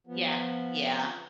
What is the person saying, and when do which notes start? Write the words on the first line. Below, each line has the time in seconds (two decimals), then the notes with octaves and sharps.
Yeah, yeah.
0.07 F3 B3